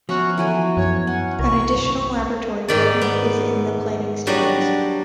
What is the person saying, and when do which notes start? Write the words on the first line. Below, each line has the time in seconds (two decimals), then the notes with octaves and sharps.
An additional laboratory building is in the planning stages.
0.09 F3 B3 C#4 F#4 E5 A#5
0.38 E3 F#3 A3 G#5
0.77 F#2 C#5
1.07 C#4 F#5 G#5
1.39 C2 A#4 B4 C#6
2.68 G#2 D#3 D5
3.01 B3
4.27 F#3 G3 D4 F#4 D#5